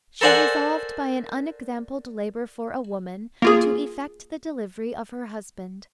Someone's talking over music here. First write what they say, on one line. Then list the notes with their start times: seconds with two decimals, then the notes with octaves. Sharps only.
She resolved, by an unexampled labour for a woman, to effect the delivery of her husband.
0.21 A4 A#4 C5 D5 F#5 G#5
3.42 A#3 F4 G#4